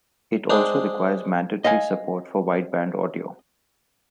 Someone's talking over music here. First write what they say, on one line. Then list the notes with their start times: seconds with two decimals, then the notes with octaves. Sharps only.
It also requires mandatory support for wideband audio.
0.50 G#3 C4 D4
1.64 D#5 F5 G#5